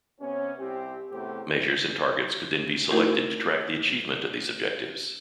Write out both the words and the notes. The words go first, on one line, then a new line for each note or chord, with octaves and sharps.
Measures and targets could then be selected to track the achievement of these objectives.
C3 B3 C#4
C2 C4 G4
E2 A2 C3 C4 G4
A3 D#4 E4 F#4 A#4